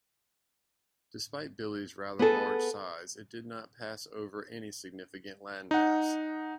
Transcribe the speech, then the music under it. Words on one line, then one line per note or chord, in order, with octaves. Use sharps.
Despite Billie's rather large size it did not pass over any significant land mass.
B3 G#4 A4
D#4 F#5